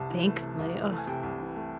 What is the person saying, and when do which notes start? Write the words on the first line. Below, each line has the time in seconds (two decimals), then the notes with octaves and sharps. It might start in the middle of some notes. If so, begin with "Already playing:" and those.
Thankfully, ugh.
Already playing: C2 C3 A5
0.10 E3
0.25 A3
0.42 C3
0.58 C2
0.75 E3
0.91 A3
0.98 G#5
1.07 C3 G5
1.23 C2
1.39 E3
1.56 A3